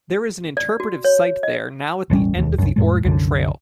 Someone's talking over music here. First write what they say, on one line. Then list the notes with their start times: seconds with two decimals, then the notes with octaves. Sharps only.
There is an interpretive site there now at The End of The Oregon Trail.
0.57 D5
0.80 F#4
1.04 C#5
1.43 D#5
2.10 E1 A1 G3 C#4
2.35 E1 D#2
2.58 C2 F#2
2.76 F2 A2 G#3
3.05 C2 F#2 D3